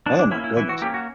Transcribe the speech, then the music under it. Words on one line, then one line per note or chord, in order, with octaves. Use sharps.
Oh, my goodness.
E3 D4
D4
A#3 C#4 E4
E4
E3 E4
F#4
A#3 C#4 G4
F#4